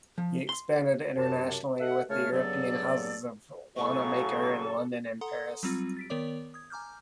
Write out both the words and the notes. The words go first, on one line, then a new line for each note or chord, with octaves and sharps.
He expanded internationally with the European Houses of Wanamaker in London and Paris.
F3
C6
F#2 C3 A5
A4 D#5 E5 F#5
A#2 C#3 A3 C#5 A5 F6
G2 C#3 F#3 B3 A4 D5
A2 C#3 F#3 A4 C#6
A4 F#5 A#5 C6 D#6
F#3 G3 C4 F4
A6 B6 D7
D#3 B3 A#4 C#5 D5 D6
D#6 G#6
G#5 A#5 D6 F6 G6